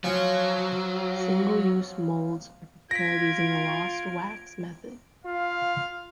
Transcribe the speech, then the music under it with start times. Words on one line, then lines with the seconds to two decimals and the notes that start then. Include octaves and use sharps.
Single use molds are prepared using the lost wax method.
0.04 F3 F#3 C#4
2.91 F4 G#6 A#6 B6 D7
5.26 F4 F5